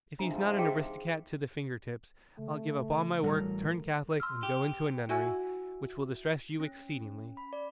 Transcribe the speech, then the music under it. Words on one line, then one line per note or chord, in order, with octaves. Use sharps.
If he's not an aristocrat to the finger tips, I'll give up all my work, turn Catholic, and go into a nunnery--which will distress you exceedingly.
G#2 C3 F3 D4 A#5
G#4 F5 G5
C#3 A3
A1 F#3 G3 A4 A#4
C6 E6 F6
G4
E4 F#4 G#5
C#4
B5
D5